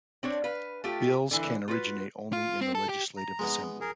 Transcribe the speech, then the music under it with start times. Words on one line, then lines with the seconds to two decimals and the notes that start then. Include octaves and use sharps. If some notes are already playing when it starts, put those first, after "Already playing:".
Bills can originate only in the Legislative Assembly.
0.23 C4 D4 C#5
0.44 B4 F5
0.84 A3 F4 G4
1.31 D3 E3
1.68 F4 F#4 B4
2.33 F4
2.61 C4
2.75 A4
2.89 G4
3.17 A#5
3.39 G#3 B3 D#4
3.81 G#4 A#4